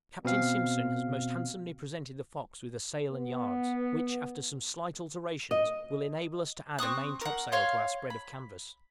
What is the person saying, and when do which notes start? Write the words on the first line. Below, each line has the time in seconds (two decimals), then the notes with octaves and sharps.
Captain Simpson has most handsomely presented the 'Fox' with a sail and yards, which, after some slight alterations, will enable us to add a main topsail to our spread of canvas.
0.25 B2 C4 F5
3.12 B3
5.51 D#5
6.78 C4 C#6 D#6 F#6
7.21 A#4 F#5
7.52 C#5 F5 C6
8.10 B5